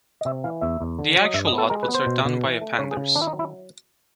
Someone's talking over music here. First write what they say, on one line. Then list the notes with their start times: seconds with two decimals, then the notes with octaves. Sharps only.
The actual outputs are done by Appenders.
0.21 D#5
0.25 C3 E5
0.44 E3 F5
0.61 E2 E5
0.81 E2
0.99 D3
1.16 F#3
1.25 D#5
1.34 G2 E5
1.47 D#5
1.53 B3 A4
1.70 G#3 A#4
1.83 B4
1.88 B3
1.94 C5
2.06 B2
2.25 B2
2.43 E3
2.61 A3
2.78 C#3 C#5
2.91 G#4
2.97 C#3
3.15 D#3 D4
3.22 E4
3.27 D#4
3.33 F#3
3.39 E4